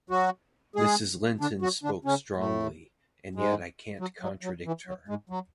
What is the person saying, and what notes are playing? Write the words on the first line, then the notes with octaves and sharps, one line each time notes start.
Mrs. Linton spoke strongly, and yet I can’t contradict her.
F#3 F#4
G#3 G#4
D3 D4
F#3 F#4
D3 D4
C#3 C#4
A2 A3
G#2 G#3
F#3
F#3
F#3
E3
F#3
G#2 G#3
F#3